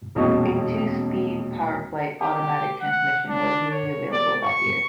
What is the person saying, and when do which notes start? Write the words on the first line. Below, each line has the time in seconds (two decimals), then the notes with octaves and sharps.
A two-speed "PowerFlite" automatic transmission was newly available that year.
0.15 E1 A#1 F2 F#3 D#5 C#6
2.22 G4
2.81 F#5
3.28 D4
3.71 C#5
4.11 D5
4.42 C#6